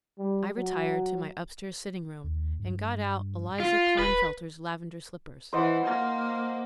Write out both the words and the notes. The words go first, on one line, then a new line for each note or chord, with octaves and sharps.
I retired to my upstairs sitting-room and got out Eliza Klinefelter's lavender slippers.
G3
F#3
D#2
G2
F4
D#1 B4
E3 C5 D#5 F#5
A#3